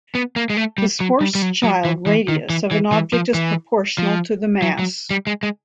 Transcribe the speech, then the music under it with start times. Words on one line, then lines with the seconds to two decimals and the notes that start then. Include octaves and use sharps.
The Schwarzschild radius of an object is proportional to the mass.
0.15 B3
0.36 A#3
0.50 G#3
0.57 A3
0.78 G3
1.00 F#3
1.21 G3
1.35 G3
1.42 F#3
1.64 F#3
1.85 E3
2.06 E3
2.28 D#3
2.50 E3
2.71 E3
2.92 E3
3.13 F3
3.34 E3
3.98 F3
4.62 F#3
4.79 F#3
5.11 G3
5.27 G#3
5.43 G#3